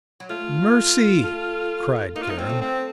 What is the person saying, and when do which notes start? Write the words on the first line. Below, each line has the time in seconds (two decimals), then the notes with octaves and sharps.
"Mercy!" cried Karen.
0.20 F#3
0.29 A3 F4
1.23 A3
2.16 A#3 D#4
2.22 F4
2.27 A3 D#4
2.38 F#3 C4
2.49 A3
2.62 C4